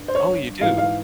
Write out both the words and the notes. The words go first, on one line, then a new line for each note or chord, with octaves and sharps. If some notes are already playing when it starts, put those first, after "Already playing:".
Oh, you do?
Already playing: G2
C5
C#5
G#2 E3 F5
F5